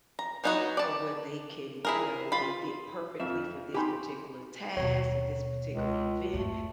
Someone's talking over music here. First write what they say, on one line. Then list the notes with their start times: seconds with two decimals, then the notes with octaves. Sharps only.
or where they can, you know, they fit perfectly for this particular task or this particular event.
0.19 A#5
0.44 F#3 B3 D#4 F4 F#4
0.77 D5 A5
1.85 E4 G#4 A#4
2.32 F4 B5
3.20 F2 E5 F5
3.74 D#4 G4 G#5 B5 C6
4.77 D#2 B2 C#5
5.72 C#2
6.33 F2 G#2 A3